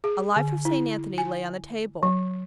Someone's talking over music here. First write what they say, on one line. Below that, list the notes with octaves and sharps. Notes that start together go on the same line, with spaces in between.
A life of St. Anthony lay on the table.
G#4
D3
E4
G#5
F#3